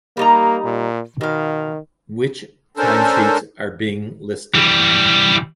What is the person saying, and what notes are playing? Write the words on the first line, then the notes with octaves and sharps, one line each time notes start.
Which timesheets are being listed?
G3 A#3 D#4 A#5
A#2
B2 D#3 F5
C#4 D4 A4 A#4 C5
E3 G3